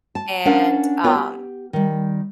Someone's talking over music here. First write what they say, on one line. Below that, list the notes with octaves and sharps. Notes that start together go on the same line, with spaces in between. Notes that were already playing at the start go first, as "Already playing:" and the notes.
and, um,
A5
C#4 D4 A#4 F5 F#5 G#5
B3 F4 A#4 C#5 G5
G4
D#3 G3